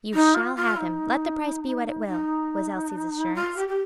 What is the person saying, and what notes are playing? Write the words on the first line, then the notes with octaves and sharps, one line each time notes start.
"You shall have him, let the price be what it will," was Elsie's assurance.
D#4
F4
F4
D#4
D#4
F4
G4
G4